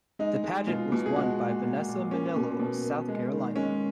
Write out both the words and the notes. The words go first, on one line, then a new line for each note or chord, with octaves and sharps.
The pageant was won by Vanessa Minnillo of South Carolina.
G#3 D#4
G#3
B2 F4
B2
G#4
G#3 F#4
A#2
A#2
A#2
A#3 C#4
B2
B2
A#3
G#3
D#3
G#3 C#4